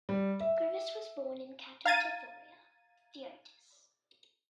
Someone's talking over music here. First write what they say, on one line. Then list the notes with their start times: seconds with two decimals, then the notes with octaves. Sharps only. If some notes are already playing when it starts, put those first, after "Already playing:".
Grivas was born in Kato Tithorea, Phthiotis.
0.09 G3
0.40 E5
1.85 F5 A#5 G#6 A6 D#7